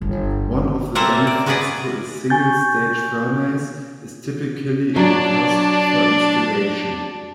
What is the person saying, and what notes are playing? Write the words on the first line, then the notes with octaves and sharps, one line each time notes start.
One of the benefits to a single-stage furnace is typically the cost for installation.
G1
A#3 C4 A4 C5 E5 F#5
D5
B3 F#4 G#4 B4 D5 F#5
G#5 C#6 G6 A6
F#3 D4